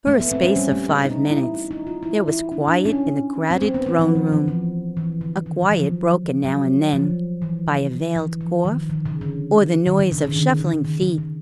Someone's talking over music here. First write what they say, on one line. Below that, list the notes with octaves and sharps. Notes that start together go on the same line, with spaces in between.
For a space of five minutes there was quiet in the crowded throne-room, a quiet broken now and then by a veiled cough or the noise of shuffling feet.
A3
B3
C4
C#4
G3
A3
A3
D#4
E4
D#4
D#4
F4
E4
E4
D4
D4
C#4
C4
C4
B3
B3
F3
F3
E3
F3
E3
D3
D#3
E3
F3
F#3
F#3
F3
E3
D3
D3
E3
F3
D#3
D#3
C#3
D3
D#3
D3
C#3
D3
D#3
D3
C#3
D3
D#3
C#3
D3